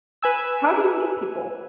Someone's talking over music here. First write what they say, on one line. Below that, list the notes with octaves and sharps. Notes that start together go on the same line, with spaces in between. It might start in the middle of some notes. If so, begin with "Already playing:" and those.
How do you meet people?
B4 G#5 E6